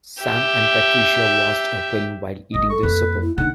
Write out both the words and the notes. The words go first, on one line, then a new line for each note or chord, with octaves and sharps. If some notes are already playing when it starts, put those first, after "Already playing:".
Sam and Patricia watched a film while eating their supper.
G4 E5
G#1 D#5
A4 C#6
F2 A#3 B4
E4
D3 A#3 D#4 F#5